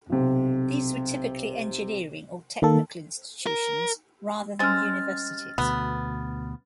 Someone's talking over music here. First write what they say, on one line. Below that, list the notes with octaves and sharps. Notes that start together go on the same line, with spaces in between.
These were typically engineering or technical institutions rather than universities.
B1 C3
D#3 A#3 A4
A#4
G3 G#3 C4 C#4 F6 A6
D2 B2 B3